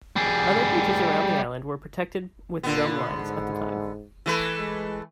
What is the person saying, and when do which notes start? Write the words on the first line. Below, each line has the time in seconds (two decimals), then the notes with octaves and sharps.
Other beaches around the island were protected with drum lines at the time.
0.16 G3 G#4
2.63 A#2 D3 B3
3.13 G#2
4.26 E3 A3 B4
4.58 G#3